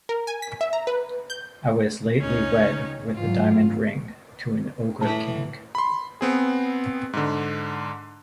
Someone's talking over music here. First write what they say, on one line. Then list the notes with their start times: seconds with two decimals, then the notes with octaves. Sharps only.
I was lately wed with a diamond ring to an ogre-king.
0.09 A#4
0.27 G#5
0.42 B6
0.61 E5
0.73 A#5
0.87 B4
1.30 G6
2.20 C#2 C#4 D#4
3.15 G#2 E3 F#3 F4
5.01 A2 E3 A5
5.75 B5 C6
6.21 B3 C4 G#4
7.13 G#2 D3